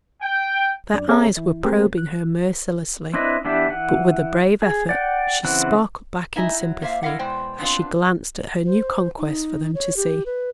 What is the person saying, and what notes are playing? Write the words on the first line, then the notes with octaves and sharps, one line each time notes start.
Their eyes were probing her mercilessly but with a brave effort she sparkled back in sympathy as she glanced at her new conquest for them to see.
G5
F#2 D4 D5
C4 G#4 A4 C#5 E5 A#5
E3 E4
A3 C4 G4 G#4 A#4 C5
F#6
C4 D4 E4 B4 D#5
E3 B3 D4 G4 E5
E3 F#5
G#4
D5 F#5 G5
C#3 E3 C4 F#5
D#4 E4 D#5 E5 G#5 A#5
F#3
A#3 C5 E5 F5
E4 A#4 D#5 F5 F#5
B2 G#3 C5 D5 G5
B3 C4 D4 F4
C5
D#4
C#5
G4
B4